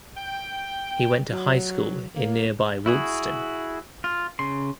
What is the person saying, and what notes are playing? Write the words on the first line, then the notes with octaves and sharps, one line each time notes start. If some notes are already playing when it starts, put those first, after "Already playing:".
He went to high school in nearby Wolsztyn.
G5
F#3
A#3
E4 F#4 G#4
F4
C#3 C6